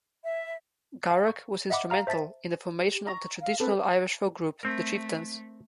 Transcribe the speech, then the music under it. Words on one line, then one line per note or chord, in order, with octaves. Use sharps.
Garech was instrumental in the formation of the traditional Irish folk group, The Chieftains.
E5
F5
C#6
D#5 E5 F#5 B5 D6
F5 A#5 F6
C5 E5 A5 A6 B6
G4
A#5 C#6
F5
C4 A4 B4
A3 C4 A#4